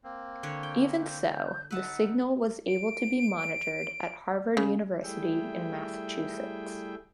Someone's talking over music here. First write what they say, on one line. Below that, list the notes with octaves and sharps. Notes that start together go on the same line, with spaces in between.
Even so, the signal was able to be monitored at Harvard University in Massachusetts.
A#3 C4
D3 B4 C#5
G5
G6
D#4 B4 F#5 A5 E6
D7
C#3
G3 A3 E4 G#4 E5 G5